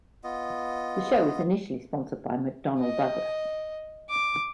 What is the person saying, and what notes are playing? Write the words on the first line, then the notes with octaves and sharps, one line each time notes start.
The show was initially sponsored by McDonnell-Douglas.
B3 F4 D#5
D#5
D6